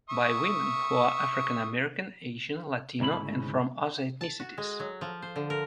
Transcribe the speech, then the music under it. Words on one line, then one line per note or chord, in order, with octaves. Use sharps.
By women who are African American, Asian, Latino and from other ethnicities.
E5 C#6 D#6
D2 G#2 C#3 E4 B5
A5
F#4
G#3
F#3
F3
C5
D3
A#4